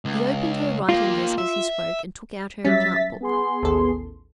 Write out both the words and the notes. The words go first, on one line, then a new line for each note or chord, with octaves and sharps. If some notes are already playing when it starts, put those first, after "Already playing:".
He opened her writing-desk as he spoke, and took out her account-book.
C#2
A#3 F4 G4
E5
F#3 G3 C#4 E5 A6 B6
B3 G#4 C6
A1 D#2 A4